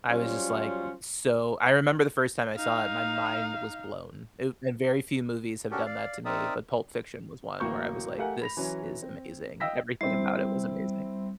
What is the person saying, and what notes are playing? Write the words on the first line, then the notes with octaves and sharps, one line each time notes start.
I was just, like, so I remember the first time I saw it, my mind was blown, uh, and very few movies have done that to me, but Pulp Fiction was one where I was like, "This is amazing." Everything about it was amazing.
F#3 G3 C#4 F4 C5
D#4 F5
C#4 D4 F#4 G4 A4 A#4
D5 F5
C4 D#4 A#4 D5 E5 D#6
D1 A1 A#3 F#4 C#6 G6
A3 G4 A#4 F5 F#5 G#5
B5 A#6 F7
E3 F#3 C#4
C4
D#5 F5 G5 E6 A#6 B6
G3 C4 E4